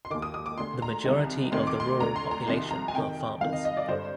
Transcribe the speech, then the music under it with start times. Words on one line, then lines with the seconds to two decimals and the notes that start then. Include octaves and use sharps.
The majority of the rural population are farmers.
0.05 C6
0.10 D#2 D#3 D6
0.22 D#6
0.34 D#6
0.46 D6
0.58 D2 D3 C6
0.82 A#5
1.05 C2 C3 D#3
1.52 D2 C3 D#3 C6
1.67 D6
1.80 C6
2.00 D2 D3 A#5
2.16 C6
2.31 A#5
2.47 C2 C3 D#3 C6
2.71 A#5
2.88 G#5
2.94 F2 C3 D#3 G5
3.41 C2 C3 D#3 F5
3.53 D#5
3.65 D#5
3.77 D5
3.88 G2 D3 C5